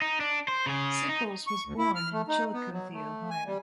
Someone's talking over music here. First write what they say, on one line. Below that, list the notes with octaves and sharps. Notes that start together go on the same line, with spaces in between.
Sickles was born in Chillicothe, Ohio.
D#4
D4
C5
C#3 G#4
D#4
C#6
D2
E4
F6
A3
D#4
B3
F#3
A3
G#5
G3